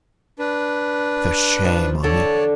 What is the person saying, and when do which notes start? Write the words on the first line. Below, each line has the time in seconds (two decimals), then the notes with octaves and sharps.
For shame on you!
0.39 D4 B4
1.65 F3
2.03 E2 D3 A4 C#5 D5 A5